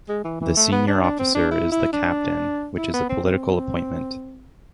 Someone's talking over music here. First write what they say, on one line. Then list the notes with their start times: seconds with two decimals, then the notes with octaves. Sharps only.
The senior officer is the Captain, which is a political appointment.
0.08 G#3
0.24 E3
0.41 E3
0.57 A3
0.72 B3
0.87 D4
1.03 D4
1.19 C4
1.35 D4
1.51 E4
1.72 E4
1.93 D4
2.77 E4
2.94 B3
3.09 C4
3.25 C4